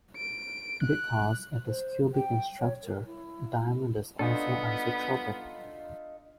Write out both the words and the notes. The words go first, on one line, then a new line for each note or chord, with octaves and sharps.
Because it is cubic in structure, diamond is also isotropic.
D7
F#6
C5
G5
C#5
A#4
E4
B3 D4 D#4 F4 A4